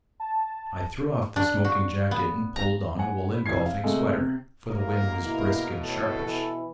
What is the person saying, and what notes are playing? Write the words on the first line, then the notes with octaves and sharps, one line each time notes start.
I threw off the smoking-jacket and pulled on a woolen golfing sweater, for the wind was brisk and sharpish.
A5
D4
F#4
B3
A#5
F#5 G#5
B4
F1 E3 G#6 C7
F5
C3 G#3 A3
C3
A1 G#2 A#3 A#4
B2 E4
A2 E4 A4
E3